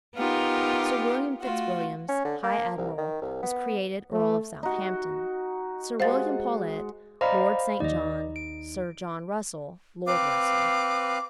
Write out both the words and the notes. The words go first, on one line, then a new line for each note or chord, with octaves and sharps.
Sir William Fitz-Williams, high admiral, was created earl of Southampton; Sir William Paulet, Lord St. John; Sir John Russel, Lord Russel.
B3 D#4 F4 G4 A#4
A3 F4 F#4
C#4
D3
A#3
C2
D#3
C2
B3
A3
D#4 F#4
G#3 C5 F5 F#5 A6
C5 D5 D#5 F5 A#5 B5
D#2 D#4 D5 D#5
D7
C4 B4 F5 D6